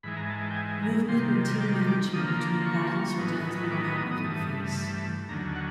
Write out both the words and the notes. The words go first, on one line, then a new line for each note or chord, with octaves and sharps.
Movement and team management between battles are done through a map interface.
G#2 E3 G#3 B5
A#5
A5
A5
G5
G#5
A#5
C3 D#3 G3 C6
D6
D6
D3 F3 A#3 D#6
D6
C#6
A2 F#3 B3 D#4
D6
D#6
D#6
D#6
G2 E3 A3
D#2 D3 F#3 A#5
F#5